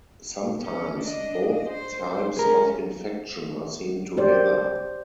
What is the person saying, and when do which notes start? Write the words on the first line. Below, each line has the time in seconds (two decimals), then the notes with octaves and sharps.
Sometimes, both types of infection are seen together.
0.61 C#4
1.00 D4 D#5
1.68 C5
2.37 G#3 C#4 G#4 A#4
4.17 G4 C5 D5